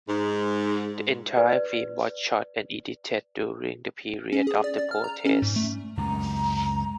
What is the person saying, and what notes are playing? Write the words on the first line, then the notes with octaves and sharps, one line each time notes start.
The entire film was shot and edited during the period of the protests.
G#2
B4 D5
C#4
G#4
D5
D5
F6
A#5
C#4
G#2
A3
C#2 F#2 C3 A#5